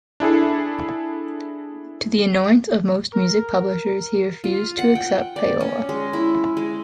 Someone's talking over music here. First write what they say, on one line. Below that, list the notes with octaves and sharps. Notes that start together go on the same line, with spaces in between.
To the annoyance of most music publishers, he refused to accept payola.
D4 E4 G#4 A4
A#4
F4
F#5
G5
D5
C#4
G#3
E4
G#3